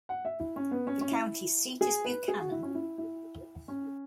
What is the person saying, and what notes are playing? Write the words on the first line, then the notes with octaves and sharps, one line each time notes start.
The county seat is Buchanan.
F#5
E5
E4
C#4
B3
C#4
C#4
E4
G#4
B4
G#4
F#4
E4
C#4
E4
E4
C#4